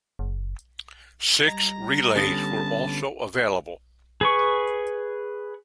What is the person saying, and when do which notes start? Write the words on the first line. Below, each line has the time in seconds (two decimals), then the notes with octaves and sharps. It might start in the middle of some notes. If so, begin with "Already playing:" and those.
Six relays were also available.
0.19 F#1
1.48 G3 D#5 A#5
2.16 D3 B3 C#4 G4 A5 D#6 A#6
4.21 G#4 B4 C#6